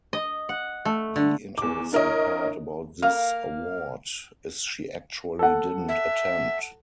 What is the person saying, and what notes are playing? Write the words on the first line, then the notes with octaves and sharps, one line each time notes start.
The interesting part about this award is she actually didn't attend.
D#5
F#5
A3
D3
E2 D6
D4 E4 A#4 C#5 D#5
A#3 F5
A4 F#5
E5